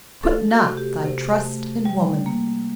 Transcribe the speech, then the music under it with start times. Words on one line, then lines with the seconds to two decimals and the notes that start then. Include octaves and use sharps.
Put not thy trust in woman!
0.23 A3 A4
0.51 F#4
0.64 C3
0.77 G4
1.05 C3
1.45 A3
1.85 G3
2.26 A#3